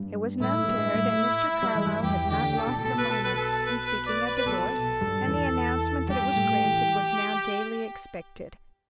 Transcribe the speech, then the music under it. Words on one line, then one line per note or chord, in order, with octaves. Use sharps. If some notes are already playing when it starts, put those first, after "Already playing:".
It was known to her that Mr. Carlyle had not lost a moment in seeking a divorce and the announcement that it was granted was now daily expected.
Already playing: G2 G3
A2 A3 E4
A3
G2 G3
A2 A3
G3
E3
G2 G3
E2 E3 G4
D2 D3 G4
D3 A4
B2
A2
B1 B2 A4
B4
A4
B4
A4
B4
B4
D5
B4
B4
B1 B2 A4
G2 G3
D3
E2 E3
G2 G3 G4
A2 A3
E3